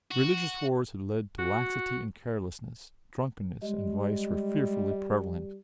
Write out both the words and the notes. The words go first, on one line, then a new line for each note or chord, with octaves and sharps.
The religious wars had led to laxity and carelessness; drunkenness and vice were fearfully prevalent.
F#4
F#4
G3 G#3